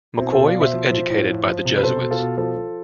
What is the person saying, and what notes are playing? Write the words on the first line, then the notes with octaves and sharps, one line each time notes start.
McCoy was educated by the Jesuits.
B2 C4 E4
B2 A4 C5
D5 F5
B2
C5 E5
F3
F3
A2
F3
F3
C3
B4
B2 A4 C5
B2
F4 A4
B2
F3 F4 A4
F3